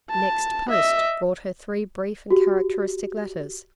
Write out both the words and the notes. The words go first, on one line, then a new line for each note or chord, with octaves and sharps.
Next post brought her three brief and characteristic letters.
A5
D#5 E5
F#4 G4